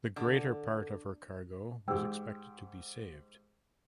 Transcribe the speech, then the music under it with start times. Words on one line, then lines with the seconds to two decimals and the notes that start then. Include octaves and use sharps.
The greater part of her cargo was expected to be saved.
0.16 D3
1.88 G#2 G4 G5 E6